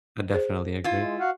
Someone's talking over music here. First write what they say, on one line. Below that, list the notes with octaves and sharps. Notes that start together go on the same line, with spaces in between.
I definitely agree.
G#4 C5
E4 F4
G#3
F#4 F5 F#5